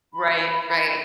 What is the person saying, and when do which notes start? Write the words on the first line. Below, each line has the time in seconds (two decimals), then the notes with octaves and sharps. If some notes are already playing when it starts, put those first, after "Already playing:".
Right, right.
0.13 B5